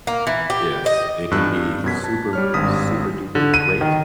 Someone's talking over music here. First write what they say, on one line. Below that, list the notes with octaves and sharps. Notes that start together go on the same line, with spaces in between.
Yes. It can be super, super duper great
A#3
E3
G4
D#5
E2 G2 E6 F#6
G2
F#2 B2 G#6 B6
A5
G3 C#5 F6
G#1 G2 D#6 B6
D3
D#7
D#3